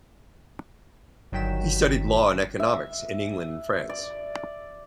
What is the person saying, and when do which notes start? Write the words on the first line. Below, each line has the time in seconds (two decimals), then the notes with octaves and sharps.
He studied law and economics in England and France.
1.32 G1 D#3 F#3 G5 B6 E7
2.60 E5
3.89 D5